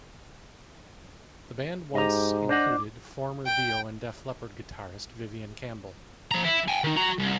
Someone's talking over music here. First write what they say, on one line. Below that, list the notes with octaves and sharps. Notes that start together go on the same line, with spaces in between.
The band once included former Dio and Def Leppard guitarist Vivian Campbell.
G#2 G4 D#5 A#5
D4 C5 D5 D#5 F#5 D6
G5
F3 A#5
E4
G5 G#5
D#3 D#4
F#4 A#5
C2